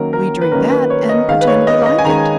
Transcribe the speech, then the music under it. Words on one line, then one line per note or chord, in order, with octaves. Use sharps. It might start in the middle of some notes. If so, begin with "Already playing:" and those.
We drink that, and pretend we like it.
Already playing: D#3 F#3 A#3 C#4 A#4
A#4
B4
D#3 F#3 A#3 C#4 A#4
B4
C#5
D#5
D#3 G#3 D#4 F5
B4
C#5
D#5
D#5
G#5
D#3 G#3 D#4 A#5